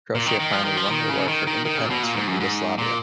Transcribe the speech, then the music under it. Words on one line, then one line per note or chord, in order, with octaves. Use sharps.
Croatia finally won their war for independence from Yugoslavia.
A#2
D#3
D#3
F3
D#3
F3
D#3
C#3
D#3
D#3
D#3
C#3
A#2
B2
A#2
G#2
F#2
G#2
A#2